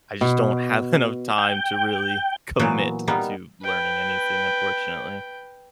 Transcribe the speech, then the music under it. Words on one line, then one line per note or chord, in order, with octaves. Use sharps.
I just don't have enough time to really commit to learning anything, unfortunately.
B2
G5
A#2 E3 F#3 B3
G3 A#3 B3 D#4
B4 G5